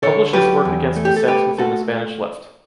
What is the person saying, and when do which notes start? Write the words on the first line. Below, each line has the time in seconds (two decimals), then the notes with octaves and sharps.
Publish this work against dissents within the Spanish left.
0.03 D3 A4 C#5
0.33 F#3 G4 B4
0.65 E2
0.96 A3
1.05 G4
1.17 A4
1.27 A3 G4 B4
1.58 A3 F#4 A4